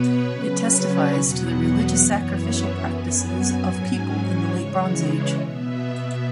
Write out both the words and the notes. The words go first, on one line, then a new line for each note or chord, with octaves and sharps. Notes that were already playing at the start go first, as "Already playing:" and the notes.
It testifies to the religious sacrificial practices of people in the late Bronze Age.
Already playing: B2 B3 B4 C#5
C#3 F#3 C#4 B4
C#5
E2 B2 F#3 B3 F#5
F#5
F#2 E3 B3 C#5
E5
F#2 F#3 B3 G#5
G#2 F#3 C#4 G#5
C#5
C#3 E3 G#3 C#5
B2 B3 E5